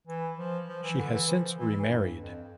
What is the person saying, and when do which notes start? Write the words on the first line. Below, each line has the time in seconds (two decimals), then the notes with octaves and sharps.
She has since remarried.
0.08 E3
0.38 F3
0.68 F3
0.83 E3
0.98 D3
1.13 E3
1.28 F3
1.59 E3
1.82 A2
1.89 G2
2.19 F2